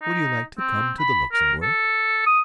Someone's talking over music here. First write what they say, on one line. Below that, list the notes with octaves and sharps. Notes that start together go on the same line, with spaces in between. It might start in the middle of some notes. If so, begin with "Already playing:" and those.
"Would you like to come to the Luxembourg?"
D#4
C4
B5
A#4
A4
D#6